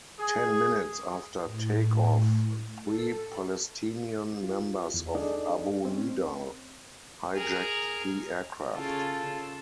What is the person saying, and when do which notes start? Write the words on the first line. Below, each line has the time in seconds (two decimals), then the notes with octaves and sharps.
Ten minutes after takeoff, three Palestinian members of Abu Nidal hijacked the aircraft.
0.20 G#4
1.43 A2
2.81 A4
4.43 F4
4.94 E2
5.15 D4 D#4 G#4 A4 D5 D#5
5.85 C4 C#4
7.35 G#4 A#4
8.74 C#3 F4 A4